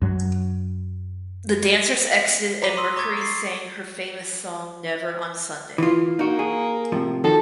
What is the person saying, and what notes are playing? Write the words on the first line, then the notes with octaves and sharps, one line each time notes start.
The dancers exited and Mercouri sang her famous song "Never on Sunday".
F#2 F#3
A#5 B5 D6 B6 D#7 G7
C6 D#6 E6
A#5 C#6 D6 G#6 A6
D6 C7
E3 F4
A#3 D#4 F#4
G#4
A2 C3 F3
D#3 F3 F#4 A4